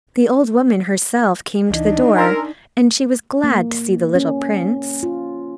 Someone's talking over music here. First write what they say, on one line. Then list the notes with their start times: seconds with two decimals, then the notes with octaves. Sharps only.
The old woman, herself, came to the door, and she was glad to see the little prince.
1.70 C#2 E3 D4 D#4 D#5
2.16 A#4 G#5 C6 E6
3.44 A#3
4.15 C#4
5.03 F4